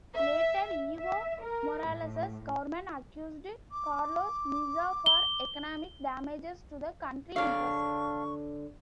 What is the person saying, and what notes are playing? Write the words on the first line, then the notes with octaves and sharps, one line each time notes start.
Later, Evo Morales's government accused Carlos Mesa for economic damages to the country interests.
E5
E5
A#4
A2
D6
G7
D3 D4 C#5 F5 C#6